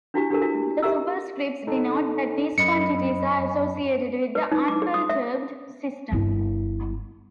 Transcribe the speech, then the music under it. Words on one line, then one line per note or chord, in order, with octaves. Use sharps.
The superscripts denote that these quantities are associated with the unperturbed system.
D4 E4 F#4 G4
D4 G4 A4 A#4
E4 F#4 A#4
G4 A#4 E5 A#5 E6
D#4 A4
F#2 D#5 B5 C#7
B4
D#4
D6
G#4
D#6
E5
G1 E4